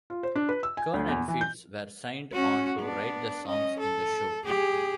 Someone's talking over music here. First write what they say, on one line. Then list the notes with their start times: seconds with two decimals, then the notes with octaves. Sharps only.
Kern and Fields were signed on to write the songs in the show.
0.10 F4
0.23 C5
0.36 D4
0.49 B4
0.63 E6
0.77 G#5
0.94 D2
1.08 E2
1.28 E3
1.41 G6
2.33 C#4 F#4
2.79 B3 D4
3.45 C#4 D#5
3.79 A4
4.45 G4 G#4